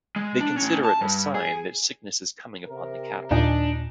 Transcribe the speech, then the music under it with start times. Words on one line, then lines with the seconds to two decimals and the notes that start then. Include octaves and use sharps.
They consider it a sign that sickness is coming upon the cattle.
0.16 G#3
0.40 D4
0.57 A2 C#4
0.85 A5
1.01 G2
1.34 G#4
2.68 C3 A#4
3.31 D#2 A#2 D4 D#4 G#5